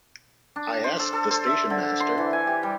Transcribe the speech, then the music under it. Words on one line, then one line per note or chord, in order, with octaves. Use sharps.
I asked the station-master.
D4
C5
A4
A4
C5
E5
D3
C6
E3
G#5
G4
G3